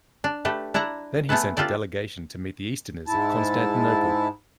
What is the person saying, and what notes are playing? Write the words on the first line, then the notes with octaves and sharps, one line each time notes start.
Then he sent a delegation to meet the Easterners at Constantinople.
D4
A3 G4 A4 B4
D4 E4 D5 F#5 A#5
A3 B3 G#4 A4 B4
D4 F4 G4 A4 D5
G#2 E4 A5